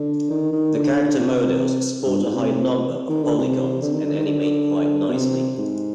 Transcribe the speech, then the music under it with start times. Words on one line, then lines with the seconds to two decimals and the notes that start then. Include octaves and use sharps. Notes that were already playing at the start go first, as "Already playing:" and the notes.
The character models sport a high number of polygons and animate quite nicely.
Already playing: D3
0.30 D#3
0.52 D#3
0.74 D3
1.09 D3
1.17 C3
2.06 G2
2.21 G#2
2.35 C3
3.09 D#3
3.23 D3
3.38 C3
3.83 D3
3.94 D#3
4.05 D3
4.15 D#3
4.25 D3
5.09 B2
5.13 C3
5.58 G#2